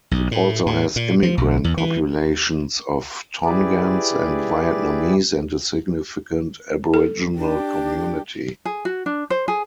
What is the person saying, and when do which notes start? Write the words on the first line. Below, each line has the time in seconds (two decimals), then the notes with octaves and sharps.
It also has immigrant populations of Tongans and Vietnamese and a significant Aboriginal community.
0.11 B1
0.31 A2
0.66 A2
0.96 A#2
1.23 F3
1.38 B1
1.64 E2
1.77 E3
3.45 E4 G4 G#4 B4 D5
6.94 A4
7.38 D4 G4
8.65 G#4
8.85 F#4
9.06 D4
9.30 C5
9.48 G#4